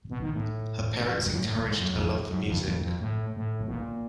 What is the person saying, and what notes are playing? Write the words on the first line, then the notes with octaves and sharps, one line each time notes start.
Her parents encouraged her love for music.
B2
D#3
A2
G2
F#2
A2
A#2
G#2
F#2
F2
F#2
F2
F2
F2
A2
A2
B2
A#2